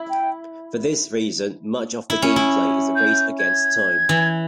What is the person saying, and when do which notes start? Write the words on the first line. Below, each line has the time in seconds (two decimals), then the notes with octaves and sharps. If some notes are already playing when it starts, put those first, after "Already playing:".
For this reason, much of the gameplay is a race-against-time.
Already playing: E4
0.10 G5
2.10 E4
2.22 C#4
2.36 E4
2.95 G6
3.39 G#6
4.09 E3